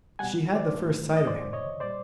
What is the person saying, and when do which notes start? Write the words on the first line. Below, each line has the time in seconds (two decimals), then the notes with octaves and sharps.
She had the first sight of him.
0.19 G3 F#5 G#5
0.23 B2
0.55 C5 D5
0.73 G#2 D#3 F#3 A3
1.17 D#5
1.27 F#2 C#3 F3 C5 D5
1.53 C#5 D#5
1.80 A#2 G3 C5 D5